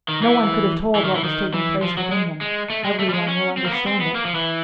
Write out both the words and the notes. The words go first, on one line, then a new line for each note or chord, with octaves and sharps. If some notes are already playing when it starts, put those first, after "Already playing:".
No one could have told what was taking place within him; every one will understand it.
D#3
E3
E3
D#3
E3
D#3
E3
F3
F#3
G#3
G#3
A3
G#3
A3
G3
G#3
C#4
C4
A#3
B3
C4
B3
A#3
F3
E3